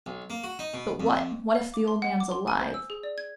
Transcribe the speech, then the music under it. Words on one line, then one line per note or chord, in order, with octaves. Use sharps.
But what, what if the old man's alive?
B1
A#3
F#4
D#4
B2
F2
F5
D6
C6
F#5
D6
C6
G#5
C5
E6
G#4
D5
G#6